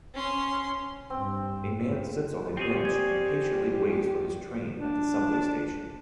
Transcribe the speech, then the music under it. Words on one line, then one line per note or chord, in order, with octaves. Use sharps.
A man sits on a bench and patiently waits for his train at the subway station.
C#4 C6
G2 C4
C4 C#4 G4 G#4
D5 G#6
D4